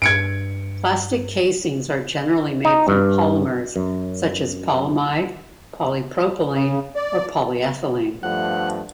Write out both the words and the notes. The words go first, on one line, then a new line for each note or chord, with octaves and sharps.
Plastic casings are generally made from polymers such as polyamide, polypropylene, or polyethylene.
G2 G#6 C#7 D7
D#4
G2
F#2
C#3
D5
G2 F3 A3 F#5